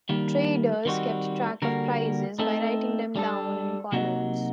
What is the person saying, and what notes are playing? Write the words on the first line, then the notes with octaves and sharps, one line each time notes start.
Traders kept track of prices by writing them down in columns.
D#3 G3 A#3
D#3 G3 C4 F#4
D3 G3 A#3 F#4 A#4
A3 C4 D#4 A4
G3 D4 A4
C3 F#3 A#3 D#4 F#4